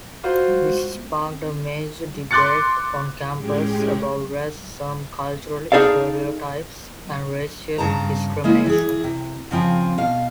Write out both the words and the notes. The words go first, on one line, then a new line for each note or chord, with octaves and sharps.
This sparked a major debate on campus about racism, cultural stereotypes, and racial discrimination.
F4 F#4 C5
C6 D6 F#6 A6 C#7
A2 G#3 C#4 G4 G#4 G5
D#4 G#4 A4 D5 F5
G2 C#3 A5 A#5
G#3 A#3 E4
E3 G#4
C3
C#3 F3 C4 G#5
B2 F5